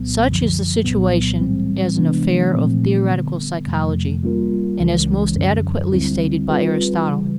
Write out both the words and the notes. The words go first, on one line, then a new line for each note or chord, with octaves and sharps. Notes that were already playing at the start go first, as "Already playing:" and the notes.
Such is the situation as an affair of theoretical psychology and as most adequately stated by Aristotle.
Already playing: C2 A#2 F#3 B3
F#2 D3 F3
C2 A#2 F#3 B3
A2 E3 G3 C4
C3 E3 G#3 B3 D4
A#2 F3 A3 C4
D3 G3 B3
F2 C3 F3 A3
G3 A#3 C#4 F4 A#4
C#2 C#3 E3 G#3 C#4
F#2 D3 F#3
D2 D3 G3 C4 E4
G3 C4 F4 G#4 B4
C#3 E3 G3